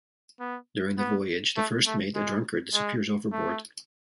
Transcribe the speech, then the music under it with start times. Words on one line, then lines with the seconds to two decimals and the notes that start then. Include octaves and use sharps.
During the voyage, the first mate, a drunkard, disappears overboard.
0.40 B3
0.98 B3
1.57 A3
1.87 A3
2.16 G#3
2.74 G#3
3.32 A3